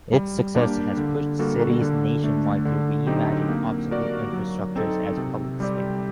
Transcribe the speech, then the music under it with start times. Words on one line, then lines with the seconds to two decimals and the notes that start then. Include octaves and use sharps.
Its success has pushed cities nationwide to reimagine obsolete infrastructure as public space.
0.13 G3
0.55 A#3 D4 G4
0.97 D3
1.39 G3 A#3 F#4 A4
1.81 D3
2.24 A3 D4
2.65 D3
3.07 F#3 C4 D#4 G4
3.49 A#3
3.91 F#4 A#4 D5
4.33 F#3
4.76 C4 D#4 A4
5.17 C3
5.60 G3 C4 G4 D5